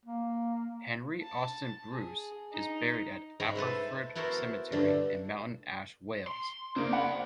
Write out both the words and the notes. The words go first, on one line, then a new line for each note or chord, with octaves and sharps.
Henry Austin Bruce is buried at Aberffrwd Cemetery in Mountain Ash, Wales.
A#3
A5
G#4
D#4
G#2 C#5 A#5 B5
A4 B4 C5 E5
B3 E4 F#4 A4 A#4 C5
G2 D3 A3
C6
C#3 A#3 C5 D5
F5 F#5 B5